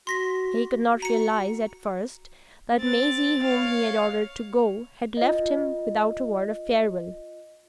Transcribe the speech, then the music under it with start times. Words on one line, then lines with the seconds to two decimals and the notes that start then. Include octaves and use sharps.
He could not realise at first that Maisie, whom he had ordered to go had left him without a word of farewell.
0.07 F#4 C6 A#6 B6
1.02 F#4 A#5 C#7
2.77 C4 A6
3.44 C#5 F5
5.17 F4 D#5